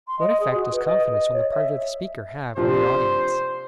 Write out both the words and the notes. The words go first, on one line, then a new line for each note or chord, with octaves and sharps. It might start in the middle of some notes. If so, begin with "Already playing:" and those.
What effect does confidence on the part of the speaker have on the audience?
C6
D#5
G#4
F#4
B4
D#5
D#5
C#5
E5
C3 F3 D4 C5